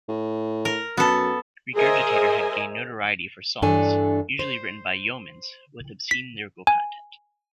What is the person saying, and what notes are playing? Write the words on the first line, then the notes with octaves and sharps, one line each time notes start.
Regurgitator had gained notoriety for songs, usually written by Yeomans, with obscene lyrical content.
A2
A#4
F#2 B3 A4
G#4 A#4 C5 D#5 E5 G#5
G2 E3 D4 A4 C#5 G#5
C5
B6
G#5